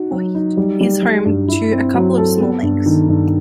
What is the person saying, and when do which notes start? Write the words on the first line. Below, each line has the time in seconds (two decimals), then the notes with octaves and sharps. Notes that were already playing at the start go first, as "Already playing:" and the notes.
Feucht is home to a couple of small lakes.
Already playing: D#4 F#4
0.12 F#3
0.35 D#4
0.57 G3
0.81 G3
1.03 G3
1.25 G2
1.48 E4
1.72 C4
1.94 F#3
2.18 A4
2.41 B3
2.63 G2
2.86 D#3
3.09 G2